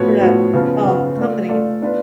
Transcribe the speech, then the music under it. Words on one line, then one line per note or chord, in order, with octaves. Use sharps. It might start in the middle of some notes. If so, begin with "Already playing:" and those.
for that, um, company.
Already playing: A2 F3 B3 F#4 C#5
A2 F3 B3 F#4 C#5
C#3 F3 B3
C#3 F3 B3
A3 F4 A4 D5
A3 F4 A4 D5
B3 D4 F4 B4